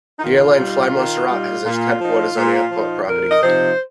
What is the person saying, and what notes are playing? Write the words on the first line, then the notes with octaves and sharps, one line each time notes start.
The airline FlyMontserrat has its headquarters on the airport property.
D#4
D#3 F4
G3 D#4
D#3
G3 D#4
A#2 F4
F3 D#4
A#2
F3
D#4
F2 A#4
D#5
C3 F3 D#4 C5